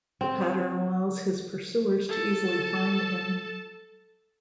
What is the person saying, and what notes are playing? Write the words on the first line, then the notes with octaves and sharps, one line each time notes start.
The pattern allows his pursuers to easily find him.
C4
A4 A5